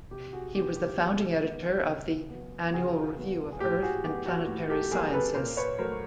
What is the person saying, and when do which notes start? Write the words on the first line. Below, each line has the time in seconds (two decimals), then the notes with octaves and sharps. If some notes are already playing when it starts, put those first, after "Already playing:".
He was the founding editor of the "Annual Review of Earth and Planetary Sciences".
0.11 C3 G4
0.33 F#4 G#4
0.55 D#3 G#3 B3 G4
0.77 G4
0.98 C3 F#4 G#4
1.42 D#3 G#3 B3
1.86 C#3
2.29 F#3 B3
2.73 C#3 F#4 G#4
3.17 F#3 B3
3.52 G#4
3.60 A2 G4
3.82 F#4 G#4
4.04 F#3 B3 G4
4.26 F#4
4.47 A2
4.69 G4 A4
4.91 F#3 B3 G#4 A#4
5.13 A4 B4
5.35 A#2 A#4 C5
5.57 B4 C#5
5.78 F#3 A3 A#4 C5